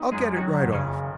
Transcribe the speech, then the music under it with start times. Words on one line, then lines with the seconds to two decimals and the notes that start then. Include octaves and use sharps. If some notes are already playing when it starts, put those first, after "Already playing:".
I'll get it right off.
Already playing: B3 D#4
0.12 F#2 G#3
0.36 D#3 F#3
0.60 F#1
0.72 C#3
0.84 F#1